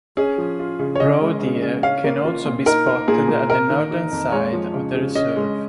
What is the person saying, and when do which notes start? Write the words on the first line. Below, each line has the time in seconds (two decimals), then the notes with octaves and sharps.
Roe deer can also be spotted at the northern side of the reserve.
0.17 C#4 G#4
0.38 F3
0.59 F4
0.79 C#3
0.95 C#5
1.00 C#4 D#5
1.21 G#3
1.42 C#3
1.62 C#3
1.83 C#4 F5
2.04 A#3
2.25 F4
2.46 A#2
2.66 D#4 A#4
2.87 A#3
3.08 A#2 G#4
3.28 A#2
3.49 A#3 A#4
3.70 D#3
3.91 D#4
4.12 F2
4.32 G#3 C#5
4.53 F3
4.74 C#3
4.95 C#3
5.15 C#4 D#5
5.36 G#3